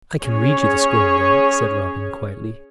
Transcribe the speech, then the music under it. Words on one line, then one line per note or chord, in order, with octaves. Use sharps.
"I can read you the scroll, Will," said Robin, quietly.
C#4 G#4 C#5